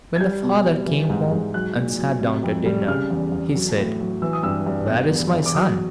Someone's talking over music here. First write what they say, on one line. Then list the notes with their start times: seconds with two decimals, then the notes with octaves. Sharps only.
When the father came home, and sat down to dinner, he said, "Where is my son?"
0.16 G#6
0.20 G3 G6
0.43 B2
0.65 G3
0.87 E3
1.10 G#2
1.31 G#2
1.54 F#3 F#6
1.76 A#2
1.98 F#3
2.22 C3
2.43 F2
2.65 G3
2.88 C#3 F6
3.10 E2
3.32 E2
3.55 F#3
3.77 A2
4.00 F#3
4.22 E3 E6
4.33 D#6
4.43 G2 E6
4.66 G2
4.88 B2
5.11 E2
5.33 E2
5.46 D6
5.55 F#3 D#6